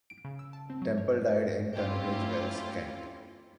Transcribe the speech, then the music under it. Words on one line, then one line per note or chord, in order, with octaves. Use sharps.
Temple died in Tunbridge Wells, Kent.
D7
C#3
E6
A5
C4
F#3
C#5
A3 C4 C#4 E4 F4 G4